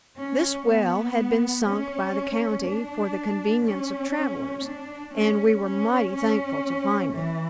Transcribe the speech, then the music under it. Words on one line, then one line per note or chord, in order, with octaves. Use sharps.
This well had been sunk by the county for the convenience of travelers, and we were mighty thankful to find it.
C#4
B3
C#4
D4
C#4
D4
C#4
C#4
C#4
E3